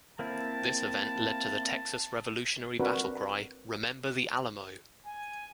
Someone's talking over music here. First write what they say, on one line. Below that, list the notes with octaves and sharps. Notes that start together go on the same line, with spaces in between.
This event led to the Texas Revolutionary battle cry Remember the Alamo!
A#3 C4 E4 A5
C4 D4 F#4 A#4 B4
G#5